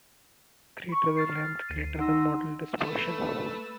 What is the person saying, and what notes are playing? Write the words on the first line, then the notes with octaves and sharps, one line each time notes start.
The greater the length, the greater the modal dispersion.
B5 C#6
F6 A6 C7
D2 C7 D#7
D#4 F#5 C6 E6 A#6
A3 B4 E6